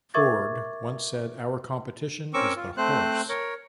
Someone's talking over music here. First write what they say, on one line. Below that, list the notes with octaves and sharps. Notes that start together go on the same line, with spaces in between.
Ford once said Our competition is the horse.
A#4 E5 C#6 D6 G#6 A6
C4 C#4 A#4 C#6 D6 E6
F4
A3 C4 C5 F#6
A#4 C#5